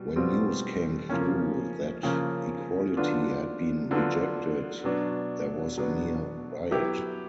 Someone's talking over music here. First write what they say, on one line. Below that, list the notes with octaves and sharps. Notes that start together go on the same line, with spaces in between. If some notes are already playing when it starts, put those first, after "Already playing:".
When news came through that equality had been rejected there was a near riot.
Already playing: B2 G3
B2 G3 C4 F4
C#3 F3 A#3 C#4
C#3 F3 A#3 C#4
D3 F#3 B3 D4 F4
D3 F#3 B3 D4 F4
B2 F#3 B3 D4
B2 F#3 B3 D4
F#3 B3 E4 G4